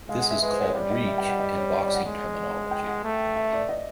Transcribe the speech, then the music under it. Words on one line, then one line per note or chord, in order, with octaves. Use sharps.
This is called reach in boxing terminology.
G#3 F5
F#5
E5
G#3 B4
C5
C#5
G3 D5
D#5
E5
G5
F#5
D#5
C#5
C#5
D5
F#5
G#3
G5
F#5
A3
E5
D5
D#5